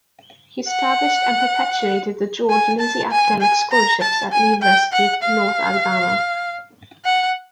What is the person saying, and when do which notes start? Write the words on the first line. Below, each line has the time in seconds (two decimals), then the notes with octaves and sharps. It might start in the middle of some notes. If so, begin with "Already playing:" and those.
He established and perpetuated the George Lindsey Academic Scholarships at University of North Alabama.
0.68 F#5
2.50 G#5
2.80 A5
3.11 G#5
3.41 G#5
3.72 A#5
4.01 A5
4.32 G#5
4.62 G5
4.93 F#5
5.22 F5
7.05 F#5